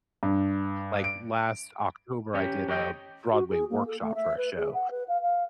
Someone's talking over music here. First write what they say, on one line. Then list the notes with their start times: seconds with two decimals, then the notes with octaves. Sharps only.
Like, last October I did a Broadway workshop for a show,
0.23 G2
1.04 D7
2.35 C#4 G4
2.69 G4 C#5 D#5 G5
3.33 F#4
3.50 G#4
3.70 A#3
3.87 A4
4.01 A3
4.15 E5
4.37 B4
4.56 G#4
4.74 F#5
4.91 B4
5.08 F5
5.22 F5